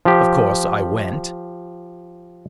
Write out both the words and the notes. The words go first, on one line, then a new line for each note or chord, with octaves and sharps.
Of course I went.
F3 G4